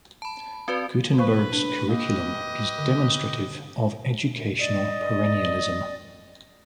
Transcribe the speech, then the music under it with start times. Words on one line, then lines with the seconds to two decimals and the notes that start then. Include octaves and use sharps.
Gutenberg's curriculum is demonstrative of educational perennialism.
0.22 A5 B5
0.68 C4 F#4 B4 D5
1.18 B4 C5 F5 C#6
1.52 D4
1.89 A#3 G4 B4 D#5
2.78 D3
4.59 D5 D#5